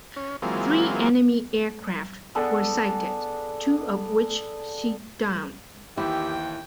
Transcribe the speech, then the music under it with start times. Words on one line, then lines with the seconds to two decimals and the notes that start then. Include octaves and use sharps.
Three enemy aircraft were sighted, two of which she downed.
0.16 C#4
0.42 E3 F#3 G#3 A#3 C4 F4
2.35 B3 D4 G#4 A4
5.97 D#2 E3 E4 G4 G5